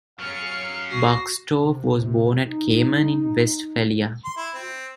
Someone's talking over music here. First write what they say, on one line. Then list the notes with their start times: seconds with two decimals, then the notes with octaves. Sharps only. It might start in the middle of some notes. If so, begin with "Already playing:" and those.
Buxtorf was born at Kamen in Westphalia.
0.19 F#3 C#4 F5 F6 C#7
0.90 F#4 A#6 C7
1.57 C3
2.49 D#4
4.25 C6
4.37 E4
4.55 C4